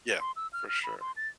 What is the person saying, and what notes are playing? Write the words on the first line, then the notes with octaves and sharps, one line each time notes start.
Yeah. For sure.
C6
E6
F6
F6
B5
C6
A6